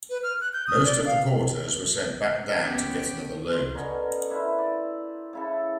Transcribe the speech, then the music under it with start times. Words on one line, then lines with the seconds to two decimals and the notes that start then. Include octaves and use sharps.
Most of the porters were sent back down to get another load.
0.10 B4
0.23 F6
0.41 F#6
0.53 G6
0.67 D#6
0.85 D5
1.05 F5
2.61 B3 C#4 G4
3.50 C5
3.75 B2 D3 C#4 A#4
4.30 D4 E4 B4 C5
4.58 D5
5.33 C#3 E4 A4